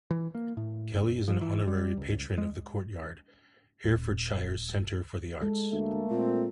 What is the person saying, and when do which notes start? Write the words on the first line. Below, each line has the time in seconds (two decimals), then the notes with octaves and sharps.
Kelly is an Honorary Patron of The Courtyard, Herefordshire's Centre for the Arts.
0.11 E3
0.35 A#3
0.57 A2
0.92 F#1
1.28 F3
1.41 E3
1.68 G3
1.97 C#2
2.38 G#3
3.84 D#1
5.41 G#3 A4
5.72 D2 A3 A#3
6.10 A#2 C4